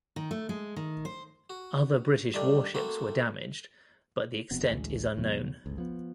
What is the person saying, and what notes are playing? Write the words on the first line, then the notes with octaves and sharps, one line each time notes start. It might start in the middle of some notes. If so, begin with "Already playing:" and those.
Other British warships were damaged but the extent is unknown.
D#3
A3
G#3
D#3
C5
F#4
G2 D#3 A3 D4
A3 A#3 C4 F#4 A4
E1 F2 C3 B3
A1 D2 E3 G#3
D#2 B2 F#3 B3
G1 C#2
F3 B3